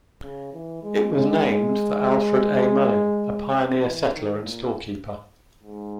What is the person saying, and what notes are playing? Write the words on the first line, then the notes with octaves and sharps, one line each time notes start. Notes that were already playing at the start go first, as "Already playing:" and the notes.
It was named for Alfred A. Mullin, a pioneer settler and storekeeper.
C#3
E3
G#3
G#3
E3
D#3
A#2
G#2